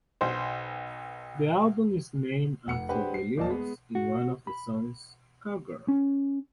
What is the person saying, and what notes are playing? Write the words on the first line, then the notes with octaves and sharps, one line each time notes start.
The album is named after the lyrics in one of the songs, "Cowgirl".
B1 C5
F1 F#5 C#7
D4 G4 G#4 B4 C5 F#5
C7
D#1 A#3 D5 D#5 A5
G#3 B3
F#4
B5
C#4